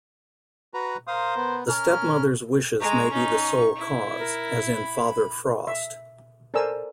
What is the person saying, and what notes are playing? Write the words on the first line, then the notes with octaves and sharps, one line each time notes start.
The stepmother's wishes may be the sole cause, as in Father Frost.
F#4 B4 A#5
A#4 C5 F5 D#6
B3
C#4 A#4 F6
G#3 A#5 C#6
C#4 D#4
E4
A#4
B5
E5
A4 A#4 C5 D5 G#5 E6